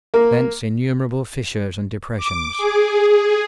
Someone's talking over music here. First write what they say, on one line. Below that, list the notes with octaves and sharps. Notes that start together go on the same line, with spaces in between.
Thence innumerable fissures and depressions.
A#3
D6
G#4